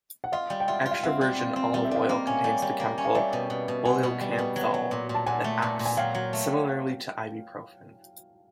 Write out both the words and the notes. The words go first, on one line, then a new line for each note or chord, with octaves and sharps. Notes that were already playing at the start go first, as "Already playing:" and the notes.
Extra-virgin olive oil contains the chemical oleocanthal that acts similarly to ibuprofen.
F#5
F4 D#5 F5
G3
G5
F4 E5 F#5
F4
F5
C4 E5 F#5
G3
F4
C4
G3 F5
E5
G3 D#5 F5
A#3
C#4
G3
G3
A#3
C#4
F5
G3 D5 E5
B2
B2
B2
B2 F#5 G#5
B2
G3
B2
F#3
F#3
A#2
A#2
A5
A#2 F#5 G#5
A3
A#2
A#2
G#5
F#3 F5 G5
F#3
A3